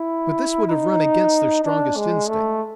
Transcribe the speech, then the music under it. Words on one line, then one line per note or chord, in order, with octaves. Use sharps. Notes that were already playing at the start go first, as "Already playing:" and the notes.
But this would have run against their strongest instincts.
Already playing: E4
D#4
D4
G#3
A3